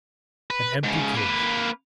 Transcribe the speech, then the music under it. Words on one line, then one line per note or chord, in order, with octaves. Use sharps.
An empty cage!
B4
G#2 C#3
A#3 B4